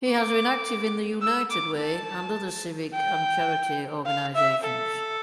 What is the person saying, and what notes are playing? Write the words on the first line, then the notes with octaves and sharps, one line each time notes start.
He has been active in the United Way and other civic and charity organizations.
D6
E6
D6
A5
G5
F5
E5
A4